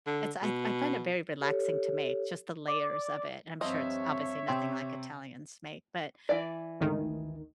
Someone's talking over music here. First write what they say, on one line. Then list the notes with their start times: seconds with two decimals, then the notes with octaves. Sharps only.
it's I I find it very relaxing to make, just the layers of it, and I'm sure it's obviously nothing like Italians make, but
0.06 D3
0.42 B2
1.41 G4 A4 C#5
2.68 D5 D6
3.61 G2 C3 F3 C5 C#5 D#5 E5
4.48 C3 C4 G4
6.29 E3 D5
6.80 G#1 D2 D#3